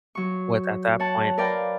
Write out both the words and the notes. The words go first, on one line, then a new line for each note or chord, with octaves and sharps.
with, at that point,
F#3 C#6
C#5 F#5 A5
A#4 B4 D5 F5 G5 A#5